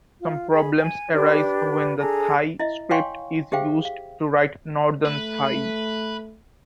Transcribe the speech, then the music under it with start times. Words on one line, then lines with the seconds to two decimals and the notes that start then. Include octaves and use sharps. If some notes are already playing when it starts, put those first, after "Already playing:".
Some problems arise when the Thai script is used to write Northern Thai.
0.21 F4
0.52 G#4 B5
0.80 G#5
1.14 D4 G4 B4 D5
1.98 D4 G#4 A4 A#5
2.59 E4 D#5 E5
2.91 C#5 F5 G5 G#5 C6 C#6
3.52 G4 G#4 C5 E5 F5 G5
3.85 F5
5.06 A3 B4